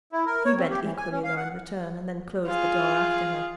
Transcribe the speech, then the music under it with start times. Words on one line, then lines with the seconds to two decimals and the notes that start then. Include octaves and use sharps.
He bent equally low in return, and then closed the door after her.
0.12 E4
0.26 A#4
0.45 C#5
0.58 C4
0.70 G4
0.85 E3
0.98 G#5
1.11 C#4
1.24 F5
1.37 F#5
2.47 F4 G#4